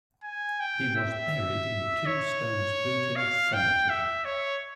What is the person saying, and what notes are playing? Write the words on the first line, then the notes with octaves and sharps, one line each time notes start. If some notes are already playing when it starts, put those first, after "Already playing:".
He was buried in Tombstone's Boothill Cemetery.
G#5
G5
E5
C#5
F5
G5
E5
C#5